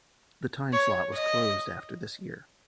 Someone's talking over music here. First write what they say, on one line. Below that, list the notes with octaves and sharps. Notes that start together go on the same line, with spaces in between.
The time slot was closed after this year.
C#5
D#5